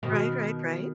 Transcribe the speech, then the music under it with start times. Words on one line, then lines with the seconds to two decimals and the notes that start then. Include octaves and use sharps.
Right, right, right.
0.03 B2 D#3